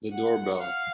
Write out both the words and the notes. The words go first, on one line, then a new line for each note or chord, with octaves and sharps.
The door bell.
F#5
F5